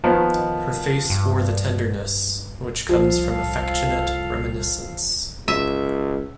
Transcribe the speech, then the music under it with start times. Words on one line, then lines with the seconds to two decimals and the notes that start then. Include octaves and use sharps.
Her face wore the tenderness which comes from affectionate reminiscence.
0.04 D#3 F3 B3
1.10 G2
2.89 C2 F3 A4 F5
5.48 C#2 E5